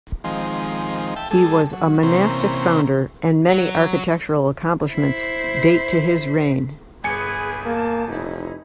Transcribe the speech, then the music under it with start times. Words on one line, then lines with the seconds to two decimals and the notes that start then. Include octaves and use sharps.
He was a monastic founder and many architectural accomplishments date to his reign.
0.24 D#3 F3 G#3 C4
1.16 E5 G5 A5
1.31 G3 A3 G#4 A4
1.73 F#3
2.03 C3 E3 A#3 C4 C#4
3.49 F#3
4.88 E4 C5
7.04 G1 G#4 B4 G#5 C#7
7.66 A#3 A5
8.08 F1 D#4 E4